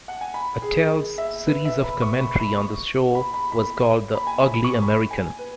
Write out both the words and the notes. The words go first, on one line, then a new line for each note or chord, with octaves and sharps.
Attell's series of commentary on the show was called "The Ugly American".
F#5
G#5
B5
G#4
E5
B4
E5
B5
C#6
B5
B5
C#6
B5
B5
B5
B5
G#5
B5
C#6
B5
G#5
B4